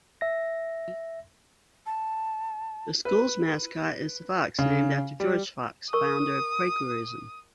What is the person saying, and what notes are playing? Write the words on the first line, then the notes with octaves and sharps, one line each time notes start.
The school's mascot is the Fox, named after George Fox, the founder of Quakerism.
E5 A#6
A5
B4
C#3
G3
A#4 C#6 D#6